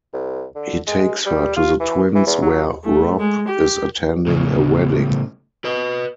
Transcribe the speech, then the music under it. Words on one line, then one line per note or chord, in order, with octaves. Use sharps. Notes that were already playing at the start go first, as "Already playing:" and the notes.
He takes her to the Twins, where Robb is attending a wedding.
C2
D3
G#3
G3
F4
E3
E3
E2
F#3
A3
G#3
G4
A2 C#3
B4 D#5